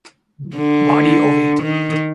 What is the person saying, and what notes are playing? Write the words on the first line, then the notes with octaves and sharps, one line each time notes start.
Body ovate.
D3
D#3